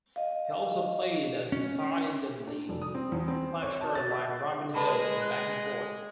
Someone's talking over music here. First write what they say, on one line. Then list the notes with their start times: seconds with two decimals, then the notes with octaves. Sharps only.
He also played a decidedly Flashheart-like Robin Hood in "Back and Forth".
0.16 D#5 F5
1.52 C#4
2.47 D4
2.69 F1
2.82 D#6
2.95 C4
3.12 E2
3.28 C4
3.63 C#5
3.81 A5
3.95 A6
4.11 E5
4.74 G#3 B4 A5 B5
5.21 F#6